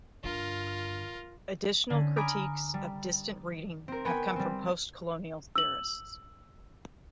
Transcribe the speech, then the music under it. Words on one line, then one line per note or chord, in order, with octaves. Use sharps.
Additional critiques of distant reading have come from postcolonial theorists.
G2 D3 F4 A#4
D3 C#4
G#5 A#5 B5 D6 D#6 F6
G3
C4 A#4
B3 G5 G#5 B5 C#6 D#7
G3 C4
E6 F#7